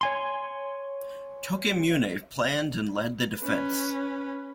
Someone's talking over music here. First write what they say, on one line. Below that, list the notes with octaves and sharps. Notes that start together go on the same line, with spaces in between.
Tokimune planned and led the defence.
C#5 G#5 C6
C#4 B4